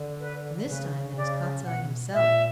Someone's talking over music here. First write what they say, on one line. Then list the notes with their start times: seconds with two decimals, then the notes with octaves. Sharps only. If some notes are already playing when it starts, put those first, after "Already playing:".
'And this time it is Kostiei himself.
Already playing: D3
0.20 B4
0.68 C#3 B4
1.16 C#3 D5
1.65 B2 F#5
2.13 A#2 E5